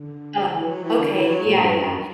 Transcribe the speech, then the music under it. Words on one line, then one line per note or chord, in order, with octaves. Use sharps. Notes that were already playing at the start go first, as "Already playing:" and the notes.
Oh, okay, yeah, yeah,
Already playing: D3
E3
F#3
E3
D3
E3
F#3
A#2
G2
F#2